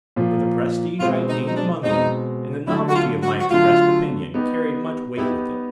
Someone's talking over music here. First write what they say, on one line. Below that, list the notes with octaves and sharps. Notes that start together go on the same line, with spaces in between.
But the prestige I had gained among them, and the novelty of my expressed opinion carried much weight with them.
A#2 F3 A#3
B2 G#3 C4 F4
D#4
D#4
D4
B2 G#3 C4 D#4
D3 F#3 A3 E4
F#4
F4
F#4
F#4
D3 F#3 A3 F4
G3 B3 D#4 G4
G3 B3 D#4 E4 G4